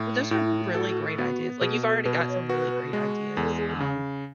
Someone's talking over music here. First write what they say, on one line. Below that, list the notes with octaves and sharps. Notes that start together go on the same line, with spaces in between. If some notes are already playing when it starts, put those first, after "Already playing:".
Well, those are really great ideas, like, you've already got some really great ideas, um
Already playing: A2
A2 E4
F#4 A4
B3 F#4
B2 G#4
A4
B2 B4
C#5
F#4 B4
G#3
E2 A4
G#4
C#3